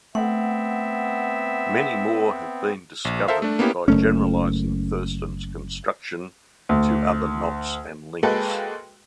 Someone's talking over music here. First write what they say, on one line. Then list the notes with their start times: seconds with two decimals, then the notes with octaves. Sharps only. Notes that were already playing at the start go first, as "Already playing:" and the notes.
Many more have been discovered by generalizing Thurston's construction to other knots and links.
0.15 A3 B3 C4 E5 F#5
3.05 A#1
3.28 A4 A#4 C5 E5 F5
3.42 A3 D4
3.59 A#3 B3 C#4 E4 G4
3.88 F#1 A3 C#4
6.69 D2
8.23 G#3 A#3 F#4 A4 B4 G5